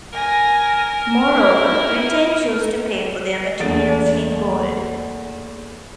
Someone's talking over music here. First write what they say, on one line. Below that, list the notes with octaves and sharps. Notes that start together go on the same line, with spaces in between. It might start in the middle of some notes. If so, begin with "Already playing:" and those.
Moreover, Britain chose to pay for their materials in gold.
A#4 G#5 A#6
E4
E2 A3 A#3 A6 D7